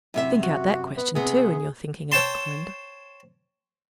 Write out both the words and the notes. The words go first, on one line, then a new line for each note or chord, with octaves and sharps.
"Think out that question, too, in your thinking out, Clorinda."
F#2 C3 E4 E5
F#4
B3
C3 B3 G#4
C5 C#5 G5 A5 C6